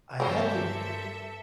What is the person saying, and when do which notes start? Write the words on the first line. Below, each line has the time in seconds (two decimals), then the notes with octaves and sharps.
I had the
0.20 G2 A#3 C4 C#4 A4 A#4 C5 E5